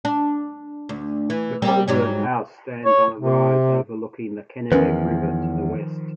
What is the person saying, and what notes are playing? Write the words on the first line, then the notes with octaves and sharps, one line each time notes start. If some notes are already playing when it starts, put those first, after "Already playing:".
The Colburn House stands on a rise overlooking the Kennebec River to the west.
D4
D2
E3
G3 A#3 C4
G#2 F#3 G3
C#5
C3
E2 D#3 F3 C#4 A#4 B4